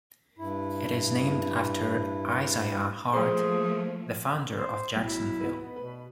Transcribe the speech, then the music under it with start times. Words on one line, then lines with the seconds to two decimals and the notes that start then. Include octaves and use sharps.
It is named after Isaiah Hart, the founder of Jacksonville.
0.38 G2 E4
3.13 F3 A3 A#3 G#4 C5
4.56 C5
4.96 B1 E4
5.41 B3 D#4 B4
5.76 B2 B4